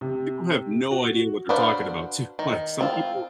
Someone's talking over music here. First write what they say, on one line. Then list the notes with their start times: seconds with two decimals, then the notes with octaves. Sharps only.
People have no idea what they're talking about, too. Like, some people
0.01 C3
0.91 F#4
1.49 D4 F#4 B4 C5 F5
2.39 D#3
2.81 C4 F4